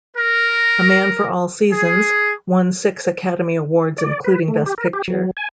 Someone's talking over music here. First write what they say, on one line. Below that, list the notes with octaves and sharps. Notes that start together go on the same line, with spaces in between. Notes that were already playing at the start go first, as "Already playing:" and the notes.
"A Man for All Seasons" won six Academy Awards, including Best Picture.
A#4
G#4
D5
B4
A3
G4
A#4
G4
F#3
G#5